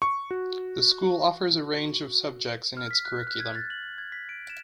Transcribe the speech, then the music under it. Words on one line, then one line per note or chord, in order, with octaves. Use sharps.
The school offers a range of subjects in its curriculum.
C#6
F#4
F6
B6
F#6
F#6
G#6
A6
F#7
G#6
B6
D7
E7